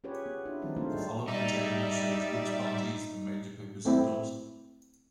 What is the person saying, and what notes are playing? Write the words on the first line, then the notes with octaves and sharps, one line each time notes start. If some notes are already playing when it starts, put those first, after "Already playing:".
The following table shows which parties the major papers endorsed.
C#4 F4 G4 G#4 B4 C#5
B3
D4 E4 F4
D#3 F3 G3 C4 D#4
F#3 G#3 A3 C4 D4 F4
G3 D#4
G3 D#4 D5 E5
A3 C4 E4